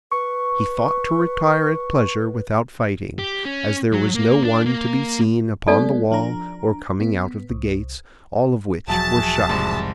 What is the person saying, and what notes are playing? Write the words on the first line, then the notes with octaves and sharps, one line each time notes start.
He thought to retire at pleasure without fighting, as there was no one to be seen upon the wall or coming out of the gates, all of which were shut.
B4 C#6
G4
C#4
F#3
A#3
D4
A#3
F#3 G#3 B3 D#4 A4 D5
F3 D4 A#5
B3
C2
E1 F3 F#3 F#4 G#4 E5 A5
C2 G#2